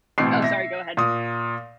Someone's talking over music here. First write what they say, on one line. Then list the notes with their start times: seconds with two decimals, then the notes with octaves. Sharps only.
Oh, sorry, go ahead.
0.18 A1 B2 C4 C7
0.42 E5 A#6
0.97 A#2 D#6